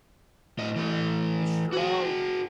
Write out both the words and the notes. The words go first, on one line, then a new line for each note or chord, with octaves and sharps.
The shroud!
A2 D#5
E3 A3
F#4 G#4